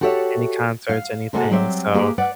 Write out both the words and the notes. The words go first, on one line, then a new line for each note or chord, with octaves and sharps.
any concerts, anything so,
F#4 G4 A4 C#5 D5 E5
F5
C3 G#3 A#3 B3 F#4 A4
F#3 G3 C4 D5 E5
A#3 G4 G#4 B4
B4 D5 F#5